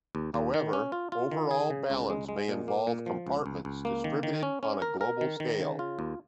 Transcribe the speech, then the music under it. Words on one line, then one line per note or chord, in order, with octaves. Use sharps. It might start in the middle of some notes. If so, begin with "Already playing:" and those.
However, overall balance may involve compartments distributed on a global scale.
D#2
D#2
D#3
C#4
F4
F4
D#3
G#4
C#3
C#2
G#3
G#3
A#2
A#3
A#2
F3
C#2
C#2
C#2
A#3
D#3
D#3
C#4
C#4
A#4
A#4
D#3
D#3
C#3
F4
D#2